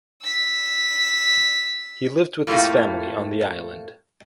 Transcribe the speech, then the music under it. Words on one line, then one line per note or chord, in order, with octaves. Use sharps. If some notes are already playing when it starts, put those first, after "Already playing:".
He lived with his family on the Island.
E6 B6
F2 A2 G3 A3 A#3 F4